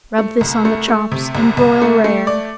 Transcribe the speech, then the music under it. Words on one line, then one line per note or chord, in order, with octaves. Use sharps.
Rub this on the chops and broil rare.
A3
C2
A3
A3
C3
C2
C2
A3
A3
D5